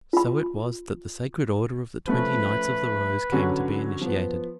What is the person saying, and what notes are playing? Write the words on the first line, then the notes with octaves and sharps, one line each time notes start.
So it was that the Sacred Order of the Twenty Knights of the Rose came to be initiated.
F4 B5
F3 A3 C#4 B4
D3 F#3 C#4
F3 B3